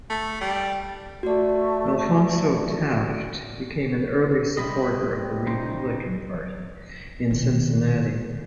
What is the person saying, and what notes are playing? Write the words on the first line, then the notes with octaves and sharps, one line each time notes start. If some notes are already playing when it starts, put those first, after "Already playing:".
Alphonso Taft became an early supporter of the Republican Party in Cincinnati.
A3
G3
A3 F#4 D5
C3 G3 D#5 B5
G4
C#3 D#4 C5
B2 D#3